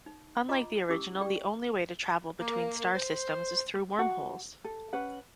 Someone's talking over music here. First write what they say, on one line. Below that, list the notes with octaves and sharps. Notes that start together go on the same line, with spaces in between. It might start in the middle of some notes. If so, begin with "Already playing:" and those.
Unlike the original the only way to travel between star systems is through wormholes.
D#4
F4 D#5 A#5 D6
C#4 E4 G4 D6 E6
G4 D5 G5
A#3
C5
F#4 F#5
A4
C#4 B4 F#5